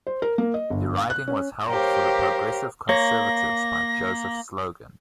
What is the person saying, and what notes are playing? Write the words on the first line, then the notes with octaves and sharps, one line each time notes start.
The riding was held for the Progressive Conservatives by Joseph Slogan.
C5
A#4
A#3
D#5
G1
F5
F#6
C#4
G4 A#4 C5 C#5 F5
A#3 C#5 A#6